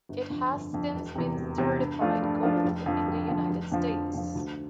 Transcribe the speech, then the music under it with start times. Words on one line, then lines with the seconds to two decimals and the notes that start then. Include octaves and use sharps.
It has since been certified Gold in the United States.
0.09 G1
0.30 F2 D3
0.52 G1
0.73 F2 D3
0.94 E1
1.15 E2 C3
1.37 E1
1.58 E2 C3
1.79 G2
2.01 F3 A3 D4 F4
2.22 G2
2.43 F3 A3 D4 F4
2.64 F1
2.86 F2 D3 F3
3.07 F1
3.28 F2 D3 F3
3.50 F1
3.71 F2 D3 F3
3.93 F1
4.14 F2 D3 F3
4.35 D2